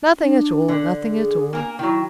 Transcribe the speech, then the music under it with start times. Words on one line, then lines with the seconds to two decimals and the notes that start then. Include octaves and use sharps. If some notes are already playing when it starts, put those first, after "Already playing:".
"Nothing at all,--nothing at all."
0.18 D4
0.68 D3
1.11 G#4
1.53 A#3 A#4 G#5
1.79 D#3 F#3 E4